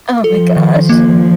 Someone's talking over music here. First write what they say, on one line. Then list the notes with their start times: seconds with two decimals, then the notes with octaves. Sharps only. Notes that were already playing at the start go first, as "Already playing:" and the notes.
Oh my gosh.
0.24 F3 A4
0.57 D#3
0.89 A#3